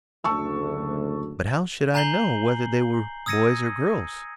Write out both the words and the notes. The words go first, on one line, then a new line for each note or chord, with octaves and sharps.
"But how should I know whether they were boys or girls?"
F#1 D2 A5 C#6 E6
G#5 A#5 G6 C7 F#7 G7
D#6 E6 G#6 A#6 C#7 D#7